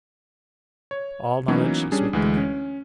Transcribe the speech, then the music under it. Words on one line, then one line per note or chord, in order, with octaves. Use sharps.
"All knowledge is with the King."
C#5
E3 F#3 A#3 B3 C#4 D#4
G3 C#4 D4 G#4
D2 E3 G#3
C#4